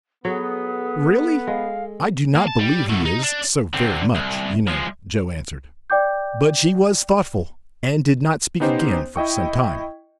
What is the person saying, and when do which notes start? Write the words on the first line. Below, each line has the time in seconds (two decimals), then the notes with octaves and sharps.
"Really, I do not believe he is--so very much, you know," Joe answered. But she was thoughtful, and did not speak again for some time.
0.25 F#3 B3 G#4 A4 C#5
1.47 G#3 F5
2.35 A#3
2.48 A5
2.60 G3
2.90 B2 A3
3.05 D#4
3.24 D4
3.74 D3 C4
4.16 C2
4.68 F3 G#3
5.90 D5 G5 D6 G6
8.60 B3 C#4 D#4 G4 C5
9.16 E4 D#5 G5 C#6